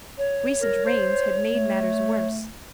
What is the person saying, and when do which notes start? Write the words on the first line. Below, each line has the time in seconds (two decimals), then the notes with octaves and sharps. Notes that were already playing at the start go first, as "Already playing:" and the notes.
Recent rains had made matters worse.
0.18 C#5
0.61 A#4
0.86 C5
1.52 A3